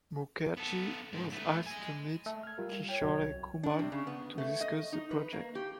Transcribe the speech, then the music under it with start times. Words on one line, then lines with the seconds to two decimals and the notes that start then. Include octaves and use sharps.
Mukherjee was asked to meet Kishore Kumar to discuss the project.
0.57 B3 A4
1.12 G#2
1.32 A3 B4
1.66 D#5 G#5
2.26 A3
2.43 F6 G#6
2.58 G3 F4 A#4
2.89 C#5 G5
3.01 C2 F#2
3.63 D4
3.79 C3
3.92 C#3
4.07 B3
4.38 A3
4.61 D#5
4.92 D#4
5.11 B4
5.33 A#3
5.55 G4